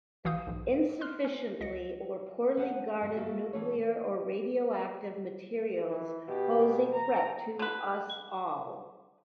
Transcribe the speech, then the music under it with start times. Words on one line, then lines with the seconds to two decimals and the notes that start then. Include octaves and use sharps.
Insufficiently or poorly guarded nuclear or radioactive materials pose a threat to us all.
0.25 A1 E3 F#4 F5 D#6 G6
0.47 B1 G#2
1.01 C6 F6 F#6
1.25 C#4
1.60 C#2 D#5 A#6 C#7
2.57 B3 D4 G#4 C5 C#5 F#5
3.01 G2 D3 G3 A3
3.16 A3 A#3 F#4 A4 E5
3.53 B2 E3 A3 C#4 C#5
5.90 E3
6.28 B2 G4
6.94 A#5
7.59 D3 B4